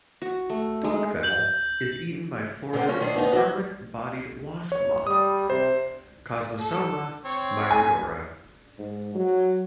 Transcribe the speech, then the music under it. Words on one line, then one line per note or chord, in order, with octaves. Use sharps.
Dogfennel is eaten by Florida's scarlet-bodied wasp moth, "Cosmosoma myrodora".
F#4
A3
G#3
G6 F#7
A#2 D3 C4 F#5
F#3 A#3 C#4 F4
D#3 D4 C5
D#2 B3 D#4
C4 F#4 B4
C#5
G3 D#6
C3 C5
A4
C4 C#5
G#5
G#2
F#3